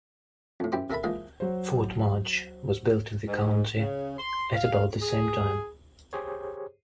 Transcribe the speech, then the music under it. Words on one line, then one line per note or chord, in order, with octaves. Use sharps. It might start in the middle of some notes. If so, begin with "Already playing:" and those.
Fort Mudge was built in the county at about the same time.
F2 A2
F#2 E4 G4 C5 D6
C3 A4 A#4 E5 A5 B5
E3 F3 G#3 A#3 D#4 G#4
F#3 C5
G#2
C#3
C6
F5
G#4
G4 G#4 C5 C#5